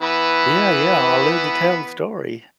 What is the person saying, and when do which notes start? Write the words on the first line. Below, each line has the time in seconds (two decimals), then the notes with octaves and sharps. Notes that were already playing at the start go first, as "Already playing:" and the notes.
Yeah, yeah. I lived to tell the story
0.01 E3 B3 B4